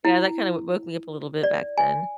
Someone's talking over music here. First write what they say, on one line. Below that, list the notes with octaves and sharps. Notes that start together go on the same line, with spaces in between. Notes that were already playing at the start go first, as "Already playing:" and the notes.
Yeah, that kinda w woke me up a little bit back then.
E4
D5
G#5